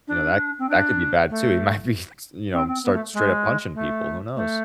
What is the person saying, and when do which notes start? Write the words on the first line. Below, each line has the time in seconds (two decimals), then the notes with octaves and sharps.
You know that that could be bad too, you might be s you know, start straight up punching people, who knows?
0.07 D4
0.58 C4
0.69 D4
1.30 A3
2.53 C4
2.67 C4
2.83 B3
2.93 A3
3.14 G#3
3.74 A3
4.36 A3